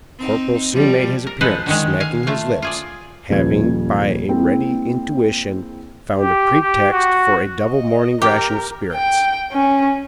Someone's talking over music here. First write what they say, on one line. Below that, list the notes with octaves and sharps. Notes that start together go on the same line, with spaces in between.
The corporal soon made his appearance, smacking his lips, having, by a ready intuition, found a pretext for a double morning ration of spirits.
C4 D#4
F3 G3
A#4
F3 G#3 A4 B4 C5
D3 D#3 G#3
F5 G#5
A3 F4
F4 G#4 D5
D#1 C#3 F3 B4 G#6
G#3 A#3 C4 E4 G#4
G4
G4
F#4
D#5
G4 A#4
G5
C#4